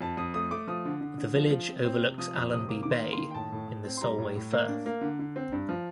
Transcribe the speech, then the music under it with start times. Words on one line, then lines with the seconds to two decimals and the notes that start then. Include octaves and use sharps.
The village overlooks Allonby Bay in the Solway Firth.
0.01 F2 A5
0.17 F2 D#6
0.34 A3 D#6
0.51 A3 D6
0.68 F3 D#6
0.85 D3
1.01 D3
1.18 D3
1.35 F3
1.51 F3
1.68 C4
1.84 C4
2.01 C3
2.18 F3 D#6
2.34 F2 D#6
2.51 C3 D#6
2.68 A#3 D6
2.83 D#3 D6
2.91 C6
3.01 A#3
3.13 C6
3.18 D#3
3.31 G5
3.35 A2 A5
3.52 A2
3.68 A2
3.85 C4
3.97 C6
4.02 G3 A#5
4.18 A2
4.36 A2
4.52 A#3
4.68 D4
4.86 A#3
5.01 D3
5.19 D3
5.36 C4
5.52 G2
5.69 F3